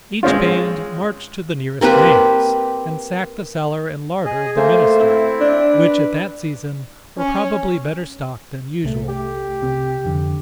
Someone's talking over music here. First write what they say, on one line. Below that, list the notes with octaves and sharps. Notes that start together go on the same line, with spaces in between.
Each band marched to the nearest manse, and sacked the cellar and larder of the minister, which at that season were probably better stocked than usual.
G#3 C4 C#4 F4
A#3 C4 G4 B4
G#4 D#5
A3 A#3 C5
C4 E4
D4
B4
C#4
C2 A3
G4
C3
F2 D3